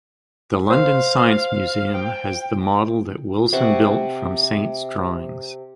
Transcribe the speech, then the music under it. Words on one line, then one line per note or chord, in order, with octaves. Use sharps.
The London Science Museum has the model that Wilson built from Saint's drawings.
C5 F5
G5
C3 C5 F#5 C#6